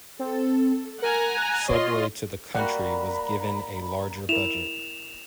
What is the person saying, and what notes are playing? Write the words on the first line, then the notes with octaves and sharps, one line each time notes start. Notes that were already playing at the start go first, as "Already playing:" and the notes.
"Subway to the Country" was given a larger budget.
C4 A4
A#4 F#5 G#5 A#5
F#6
F4 C#5 D#5 C6
G3 A#3 F#4 F#5 G5 A#5 B5
E4 A#4 E7 F7